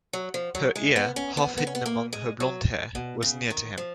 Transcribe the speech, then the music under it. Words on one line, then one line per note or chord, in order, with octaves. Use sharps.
Her ear, half-hidden among her blonde hair, was near to him.
F#3
F3
F#3
G#3
B3
C#4
B3
B3
C#4
B3
A#3
G#3
F#3
B2
C#3
D#3
F3